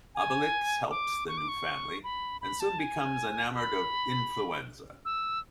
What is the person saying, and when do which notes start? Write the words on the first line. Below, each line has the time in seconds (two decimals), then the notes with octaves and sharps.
Obelix helps the new family and soon becomes enamored of Influenza.
0.15 G#5
0.90 D6
1.28 C#6
1.38 D6
1.48 C#6
2.04 B5
2.41 B5
2.60 A5
2.79 G#5
3.55 B5
5.05 E6